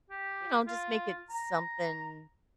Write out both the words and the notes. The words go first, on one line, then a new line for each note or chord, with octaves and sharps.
you know, just make it something.
G4
F4
A#5